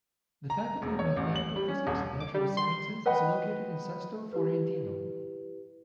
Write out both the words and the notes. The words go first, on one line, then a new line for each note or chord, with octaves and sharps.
The Faculty of Mathematical, Physical and Natural Sciences is located in Sesto Fiorentino.
A#5
E1
C#5
A1
F#7
G3
C#4
D#1
D6
G3
C6
B4 D#5 F#5 G5 B5
E4 G4 B4